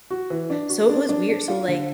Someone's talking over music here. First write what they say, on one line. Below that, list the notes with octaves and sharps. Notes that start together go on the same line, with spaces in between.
So it was weird. So like,
F#4
E3
D4
F#4
D4
D4
D4
F4
D3